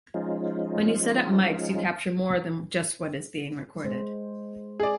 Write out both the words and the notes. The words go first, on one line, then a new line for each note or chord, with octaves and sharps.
When you set up mics, you capture more than just what is being recorded.
F3 G#3 C#4 D#4 F4
G#3 C5
G#4 D5